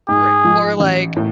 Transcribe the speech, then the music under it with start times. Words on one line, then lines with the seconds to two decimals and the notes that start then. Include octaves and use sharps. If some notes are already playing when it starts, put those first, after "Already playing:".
Right. Or, like,
0.08 G#2 G#4
0.45 F3 G#3
0.80 A1
1.16 A2